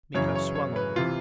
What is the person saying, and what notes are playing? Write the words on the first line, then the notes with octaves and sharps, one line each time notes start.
Miko swung on me.
F#2 C#3 E3 C#5
C#5
C#5
B4
C3 E3 F4